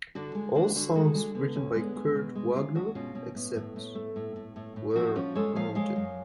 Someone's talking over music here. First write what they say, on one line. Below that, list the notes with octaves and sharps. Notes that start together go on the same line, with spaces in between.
All songs written by Kurt Wagner, except where noted.
D3 D4 F#4
G#3
G#3 D4 F#4
D3 D4 F#4
G#3 F#4 A4
G#3 D4 F#4
D3 B3
D2 C#4
G#3 B3 D4
G#3
B2
G#3
G#3 C#4 F4
G#3 D4 F#4
B2 C#4 F4
B2 C#4
A2 B3
A2
A2
A3
A2
A2
A2
A2
F3 D4 F#4
F3 C#4 F4
G#3 A4 C#5
F3 C#5 F5
G#3 C#5 F5
F#2